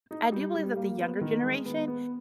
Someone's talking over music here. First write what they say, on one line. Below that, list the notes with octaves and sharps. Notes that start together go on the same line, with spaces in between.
I do believe that the younger generation
D#4
G3
G3
A#3
B3
D#3
G#3
B3
B3